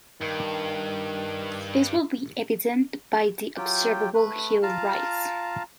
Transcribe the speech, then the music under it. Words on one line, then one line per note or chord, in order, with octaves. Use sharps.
This would be evident by the observable heel rise.
G2 D#3
F#3 F4 G4 G5
A3 B4
F4 F5 A5 A#5